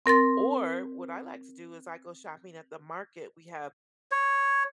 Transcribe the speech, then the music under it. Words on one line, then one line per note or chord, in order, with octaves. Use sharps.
Or what I like to do is I go shopping at the market. We have
C4 A#4 C6 A6
C#5